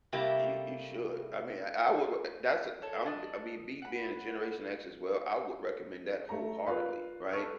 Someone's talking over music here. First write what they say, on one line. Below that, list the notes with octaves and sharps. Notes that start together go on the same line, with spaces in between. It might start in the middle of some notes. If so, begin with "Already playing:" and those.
you you should. I mean, I I would, but i that's a I'm I mean, me being a Generation X as well, I would recommend that wholeheartedly, right?
C3 G3 A3 A#3 E4 G4
A4 C#5
D4 D#5
F#5 B5
A3 A4 A#5
F4 A#4 B4 F5
A4 B4 C#6 E6 F6